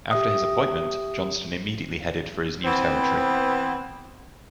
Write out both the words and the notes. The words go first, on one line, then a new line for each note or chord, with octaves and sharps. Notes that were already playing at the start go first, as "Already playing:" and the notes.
After his appointment, Johnston immediately headed for his new territory.
G4 E5 D#6
E3 B3 C4